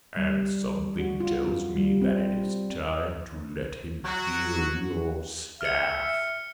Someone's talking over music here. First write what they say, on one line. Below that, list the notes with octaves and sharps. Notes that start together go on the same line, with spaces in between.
"And something tells me that it is time to let him feel your staff."
G3
F#4
F4
G3
C4
F#3 F#4
E5 F6 C#7